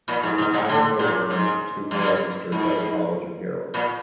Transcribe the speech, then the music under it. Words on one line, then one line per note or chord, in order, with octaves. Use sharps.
The combined coat of arms was duly registered by the College of Heralds.
A#2
G#2
G#2
C3
D3
A#2
G#2
G2
G#2
A#2